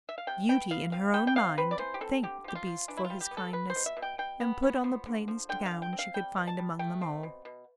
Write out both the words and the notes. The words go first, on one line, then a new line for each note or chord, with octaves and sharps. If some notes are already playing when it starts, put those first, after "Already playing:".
Beauty, in her own mind, thanked the beast for his kindness, and put on the plainest gown she could find among them all.
E5
F5
C3 G5
B3 G5
B3 F5
C4 F5
G3 G5
G5
C4 F5
C4 B4
D5
E3 C5
G4
C4 A4
D3 G4
F3 G4
F4
F3
E3 D4
E4
F4
G3
G4
B3
A4
B3 B4
C5
B2
E5
B2
G5
B2 G5
B3
B3
F3
D3
F3
D3 G5
F5
C4
G5
C4
F5
G3 G5
B2
A5
G3
A3 G5
C4
B2
B2